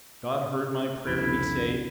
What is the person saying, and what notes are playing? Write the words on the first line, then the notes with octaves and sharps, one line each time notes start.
God heard my prayer to be saved.
C2 F2 C#3 B3 D4 E4 A4